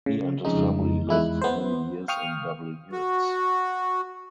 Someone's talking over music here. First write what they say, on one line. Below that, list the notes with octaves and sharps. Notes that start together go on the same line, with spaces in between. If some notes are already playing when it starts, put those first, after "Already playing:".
He and his family lived for many years in Beverly Hills.
C#3
F2 C#3 G#3 D#4
E2 G#3 E4 F#6
B3 C5
F5 G5 C#6 D#6 F6
F#4